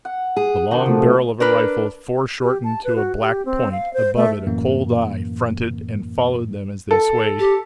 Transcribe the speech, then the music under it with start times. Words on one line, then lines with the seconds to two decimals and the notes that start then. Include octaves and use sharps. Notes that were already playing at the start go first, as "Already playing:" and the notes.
The long barrel of a rifle, foreshortened to a black point, above it a cold eye, fronted and followed them as they swayed.
0.05 F#5
0.37 G#4
0.71 D#3 D4 F#4
0.86 C3 F3 A3
1.40 D4 A#4 B4
2.42 G4
2.64 A5
2.84 B4
2.96 F#4
3.21 G4
3.45 C4
3.72 F5
3.94 C5
4.16 A3
4.47 F#2 A2 E3 A#3
6.91 A4
7.39 G4